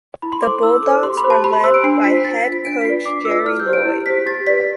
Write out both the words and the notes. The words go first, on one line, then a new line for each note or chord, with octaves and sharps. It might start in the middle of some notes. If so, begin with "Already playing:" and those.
The Bulldogs were led by head coach Jerry Loyd.
E4 B5
C6
A4 C5 D6
E4 E6
A4 C5 D6
G4 C6
B5
C5
A5
G4 B5
C6
C5 E6
D7
D4 C7
F4 C5 B6
D4 A6
F4 C5 B6
D4 D7
B6
F4 B4 D5 C7
D4 D6
F4 B4 D5 E6
E4 F6
G6
G4 C5
D7
E4
G4 C5 B6
G4 A6
B4 D5 B6